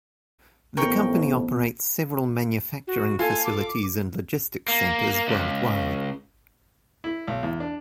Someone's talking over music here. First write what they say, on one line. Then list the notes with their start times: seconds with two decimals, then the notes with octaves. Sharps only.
The company operates several manufacturing facilities and logistics centers worldwide.
0.77 A1 F2 B3 A#4 G5 C#6
2.87 F#4
3.19 F4 A4 G#5
3.45 D6
4.68 A#3
5.28 C#2
7.04 E4
7.28 B1
7.43 E2
7.60 D4